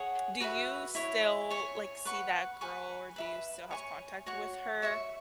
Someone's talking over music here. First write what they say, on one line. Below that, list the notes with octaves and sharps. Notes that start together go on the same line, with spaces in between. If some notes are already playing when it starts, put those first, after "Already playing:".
Do you still, like, see that girl, or do you still have contact with her?
Already playing: G#4 C#5 F#5
F#4 B4 E5
E4 C#5 E5
C#5 G#5 C#6
B4 F#5 C#6
B4 G#5 C#6
B4 E5 B5
C#5 G#5 C#6
F#4 C#5 F#5 C#6
C#5 E5 C#6